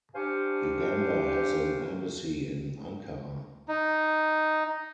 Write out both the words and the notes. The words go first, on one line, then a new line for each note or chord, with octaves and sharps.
Uganda has an embassy in Ankara.
D4 G4 C5 F5 G#5 C#6
D#4